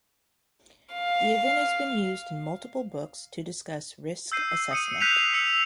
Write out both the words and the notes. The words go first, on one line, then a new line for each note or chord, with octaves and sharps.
The event has been used in multiple books to discuss risk assessment.
F5
E6 G6 C7 D#7
D#6 C#7 D#7
F#6 G6 B6 C7 D#7 F7
E6 C#7